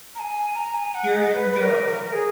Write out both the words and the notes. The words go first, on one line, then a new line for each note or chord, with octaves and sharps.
Here you go.
A#5
G#5
A#5
G#5
F#5
D#5
B4
B4
A#4
A#4
G#4